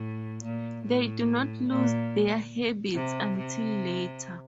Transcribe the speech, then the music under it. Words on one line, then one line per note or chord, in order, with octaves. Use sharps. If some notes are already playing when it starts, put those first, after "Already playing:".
They do not lose their habits until later.
Already playing: A2
A#2
A2
A#2
C3
C3